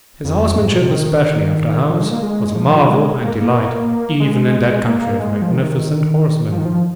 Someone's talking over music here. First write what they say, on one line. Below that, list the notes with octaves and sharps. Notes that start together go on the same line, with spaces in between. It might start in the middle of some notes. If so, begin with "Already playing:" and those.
His horsemanship, especially after hounds, was a marvel and delight even in that country of magnificent horsemen.
F2
G#2
A#2
C3
D#3
F3
G#3
A#3
G#3
F3
G#3
A#3
A#3
G#3
A#3
G#3
F3
D#3
F3
D#3
F3